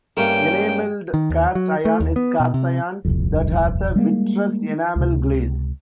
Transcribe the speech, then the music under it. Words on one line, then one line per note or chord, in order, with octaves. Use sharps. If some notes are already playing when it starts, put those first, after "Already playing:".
Enameled cast iron is cast iron that has a vitreous enamel glaze.
G2 A3 A#3 C#4 A#4 G5
D#3
D#2
F#3
A3
D#2
B3
B2
C3
D#1 C2 F2
G3 G#3 A#3
C#2 C3